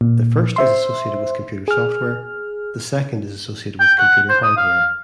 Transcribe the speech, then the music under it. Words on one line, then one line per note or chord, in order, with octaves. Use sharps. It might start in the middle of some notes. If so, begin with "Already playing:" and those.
The first is associated with computer software, the second is associated with computer hardware.
A#2
C5 E5 C6
G#4 F6
G5
F#5
C5
D#6
F5